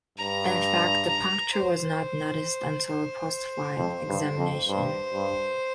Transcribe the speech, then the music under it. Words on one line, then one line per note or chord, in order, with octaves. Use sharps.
In fact, the puncture was not noticed until postflight examination.
G2 A#5
A#5
C5
C5
F2
G2
F2
G2 C5
G2